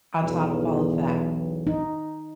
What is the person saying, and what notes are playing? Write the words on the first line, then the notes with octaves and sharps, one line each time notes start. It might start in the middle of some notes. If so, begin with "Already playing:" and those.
on top of all of that.
B1 E2
D#4